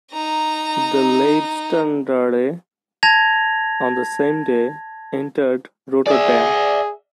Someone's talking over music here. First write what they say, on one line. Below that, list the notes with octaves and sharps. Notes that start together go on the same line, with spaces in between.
The "Leibstandarte" on the same day, entered Rotterdam.
D#4 A#5
A5 G#6 A#6 F7
G#4 D5 E5